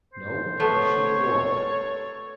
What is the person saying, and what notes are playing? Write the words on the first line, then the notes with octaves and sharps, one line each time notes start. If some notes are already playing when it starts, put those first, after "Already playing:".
"No; I shall walk."
C5
A3 B3 C#5
A4